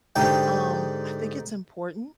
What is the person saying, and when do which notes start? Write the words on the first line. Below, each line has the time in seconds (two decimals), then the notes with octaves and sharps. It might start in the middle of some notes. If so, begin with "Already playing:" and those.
um, I think it's important
0.16 G#2 D3 D#4 G4 G5